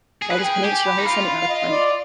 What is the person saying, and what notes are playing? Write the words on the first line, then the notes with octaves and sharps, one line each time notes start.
Valdes Peninsula has a semi-arid climate.
G#4
B4
G#4 G5
G4 G#5
B5
D#4
F4 B5
F5
D#5
D5